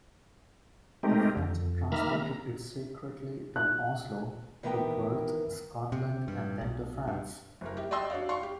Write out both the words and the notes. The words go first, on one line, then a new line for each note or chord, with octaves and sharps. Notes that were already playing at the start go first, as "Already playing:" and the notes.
The French transported it secretly to Oslo, to Perth, Scotland, and then to France.
G#3 A3 C4 D#4 G4 A#4
F2
D#3 A#3 E5 A#5 B5 F6
A#5
F#6
D#3 E3 B3 A#4 G5
C3
G2
B1
G2
F#1 A#4
G4 E5
D5 D#5 G5 C6 E6
D4 F#4 C#5 D5 F5
F5 C6 C#6
G4